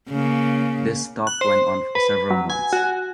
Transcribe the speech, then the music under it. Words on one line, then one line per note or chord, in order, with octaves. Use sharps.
This talk went on for several months.
C#3 A#3
F#6
C5
B4
F#3
G#5
F#4